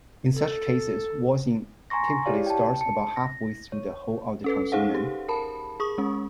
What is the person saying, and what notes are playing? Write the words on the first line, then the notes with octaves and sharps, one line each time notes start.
In such cases, voicing typically starts about halfway through the hold of the consonant.
A4
G#5 A#5 C6 C#6 A#6
E4 G4 C#5 D5 F5
G5 A5
A5 C#7
A#6
C#5
C#4 A4 B4
D#4 G#4 C5 F5 F#5
G4
A#4 A5 B5
G#4 C#6 D#6
G#3 C#4